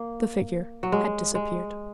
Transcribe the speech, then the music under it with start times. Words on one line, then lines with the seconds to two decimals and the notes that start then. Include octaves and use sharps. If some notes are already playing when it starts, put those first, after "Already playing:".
The figure had disappeared.
Already playing: A#3
0.83 F#3
0.92 G#3
1.35 G#3